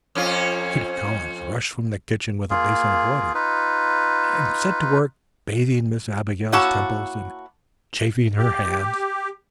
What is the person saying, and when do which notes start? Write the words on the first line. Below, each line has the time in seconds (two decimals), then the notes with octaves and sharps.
Kitty Collins rushed from the kitchen with a basin of water, and set to work bathing Miss Abigail's temples and chafing her hands.
0.15 F2 C#4 F4
2.50 A#3 F4 G#4
3.34 D#4 F4 B4
6.52 A#3 E4 F#4 C#5 A5
8.38 G4